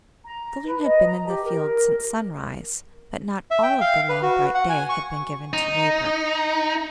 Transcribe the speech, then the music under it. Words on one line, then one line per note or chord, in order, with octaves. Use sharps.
The children had been in the field since sunrise, but not all of the long bright day had been given to labor.
A#5
B4
D#5
A#5
G4
A#4
E5
G5
F5
B4
F#4
F#5
G#5
C#6
D#4